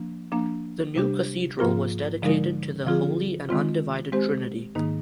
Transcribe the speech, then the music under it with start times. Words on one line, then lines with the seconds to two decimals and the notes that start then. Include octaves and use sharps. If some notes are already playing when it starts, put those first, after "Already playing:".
The new cathedral was dedicated to the Holy and Undivided Trinity.
Already playing: F3 A#3 D4
0.32 F3 A#3 D4
0.95 C3 G3 D4 G4
1.59 G#2 F3 A#3 F4 A#4
2.22 D3 F3 G#3 D#4 A#4
2.85 D3 F3 C4 F4 G#4
3.49 D#3 G#3 C4 F4
4.12 G#3 C4 G4 C5
4.75 G#2 D#3 A#3 D#4